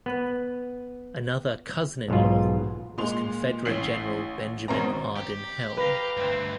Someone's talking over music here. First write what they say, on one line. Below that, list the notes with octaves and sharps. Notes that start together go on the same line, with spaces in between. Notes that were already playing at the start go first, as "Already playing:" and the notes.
Another cousin-in-law was Confederate General Benjamin Hardin Helm.
B3 B4
B1 G#2 B2 F4
A#2 G#3 C6 F7
A1 C#4 B6 C7 F#7
G#1 B2 C4 C#4 A#5
G4
B4 F5 A#5
D2 G2 C4